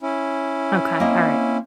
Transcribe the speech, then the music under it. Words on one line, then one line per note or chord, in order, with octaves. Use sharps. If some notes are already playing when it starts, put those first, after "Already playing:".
Okay, alright.
C#4 E4
A#3 C4 D#5